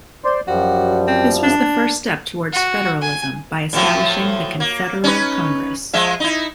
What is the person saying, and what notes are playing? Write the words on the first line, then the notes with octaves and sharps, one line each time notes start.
This was the first step towards federalism by establishing the confederal Congress.
C5 D5 C6
F#2 F3 G3 F#4
C4
D4
F#4
G#5
A2 F3 F#3
A#3
C#4 D#4 B4
F3 G#3 E5
D#4 E4